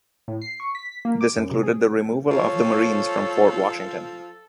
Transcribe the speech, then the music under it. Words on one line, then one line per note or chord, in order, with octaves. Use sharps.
This included the removal of the Marines from Fort Washington.
A2
C7
C#6
B6
A#3
D6
F#2
C3
G#4
F3 A4 C#5